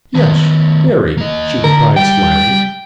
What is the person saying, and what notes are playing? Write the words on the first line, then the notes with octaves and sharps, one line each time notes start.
"Yes--very," she replied, smiling.
D#3 B3
A#3 D#5
D3 A#4
G3 G5